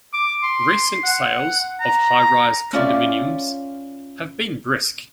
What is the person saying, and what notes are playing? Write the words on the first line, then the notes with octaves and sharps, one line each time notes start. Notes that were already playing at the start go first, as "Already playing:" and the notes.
Recent sales of high-rise condominiums have been brisk.
D6
C6
F#5
A#5
C#4 F4 D5 E5